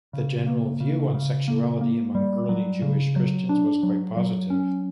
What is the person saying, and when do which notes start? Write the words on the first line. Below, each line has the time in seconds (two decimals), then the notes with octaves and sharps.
The general view on sexuality among the early Jewish Christians was quite positive.
0.13 C#3
0.46 A#3
0.80 C#3
1.14 C#3
1.48 A#3
1.81 A#3
2.15 G3
2.49 F#3
2.82 C#3
3.16 F#3
3.49 D4
3.83 F#3
4.17 F#3
4.50 C#4